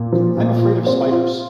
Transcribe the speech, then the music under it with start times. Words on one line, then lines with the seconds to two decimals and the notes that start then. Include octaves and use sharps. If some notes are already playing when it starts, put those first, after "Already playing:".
I'm afraid of spiders.
Already playing: A#2
0.12 F3
0.37 A#2
0.62 F4
0.86 C4
1.12 F4